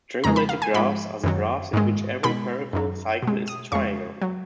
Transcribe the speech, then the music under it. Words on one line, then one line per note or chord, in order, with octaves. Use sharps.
Strangulated graphs are the graphs in which every peripheral cycle is a triangle.
F2 C#3 G#3 A#5
B5
F5
G#5
G#2 F3 G#3 B5
F#2 D#3 F#3
G#2 D#3 G#3
B2 G#3 B5
F#2 D#3 F#3
B2 G#3
D#6
F2 C#3 G#3 C#6
F#3